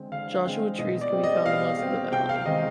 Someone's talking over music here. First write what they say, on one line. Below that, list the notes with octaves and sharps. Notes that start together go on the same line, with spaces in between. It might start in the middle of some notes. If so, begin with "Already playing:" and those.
Joshua Trees can be found in most of the valley.
Already playing: D3 G#3 C4
D3 F5
G#3 C4
B2 D#5
D5
G3 C4
D#5
B2 F5
G3 C4
C3 G5
F5
D#3 G#3 C4 D#5